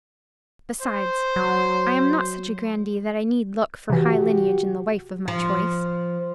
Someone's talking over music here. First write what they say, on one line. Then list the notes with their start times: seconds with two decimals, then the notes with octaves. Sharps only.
Besides, I am not such a grandee that I need look for high lineage in the wife of my choice.
0.81 C5
1.36 F#3
3.90 C3 E3 F#4 G4
5.28 F3